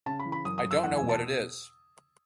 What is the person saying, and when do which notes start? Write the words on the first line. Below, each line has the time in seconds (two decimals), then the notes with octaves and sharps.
I don’t know what it is.
0.06 C#3 A5
0.20 B5
0.25 E3
0.32 B5
0.45 F#2 D#6
0.58 D#6
0.64 F#2
0.71 E6
0.83 E2 F#5
0.97 G#5
1.03 B2
1.09 A5